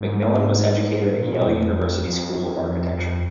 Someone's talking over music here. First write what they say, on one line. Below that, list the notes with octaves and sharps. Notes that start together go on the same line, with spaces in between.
McMillan was educated at Yale University School of Architecture.
G#2
A#2
B2
F2
F2
F#2
F2
F2